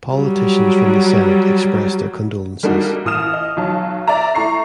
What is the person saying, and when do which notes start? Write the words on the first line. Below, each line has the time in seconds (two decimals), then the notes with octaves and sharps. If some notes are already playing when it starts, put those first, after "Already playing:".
Politicians from the senate expressed their condolences.
0.15 F#3 G3
2.63 G3 A#3 D4 D#4 F#4
3.05 A1 D#6 F6 E7
3.33 D#5
3.57 B1 F#3 A5
4.08 D5 E5 A#5
4.35 A3 E4 A#5 C#6 C7